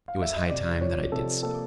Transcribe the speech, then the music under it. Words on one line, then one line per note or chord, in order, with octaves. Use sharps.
It was high time that I did so.
F5
E5
D#5
C3 D5
F3 C#5
C3 A4
A#3 A4